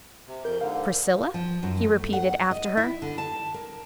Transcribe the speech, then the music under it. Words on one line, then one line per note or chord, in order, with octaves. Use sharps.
"Priscilla?" he repeated, after her.
C3
F2 A#4 G6
G#2 D3 F5
F3
F#2
A3
F#5
F#5
D#5
E4
D3
A5
A#4